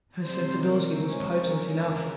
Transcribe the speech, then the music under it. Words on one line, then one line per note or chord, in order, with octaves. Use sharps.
Her sensibility was potent enough!
C3 G3 C4 C5
A#4
C3 F3 G#3 C#4
A#4
E2 C#3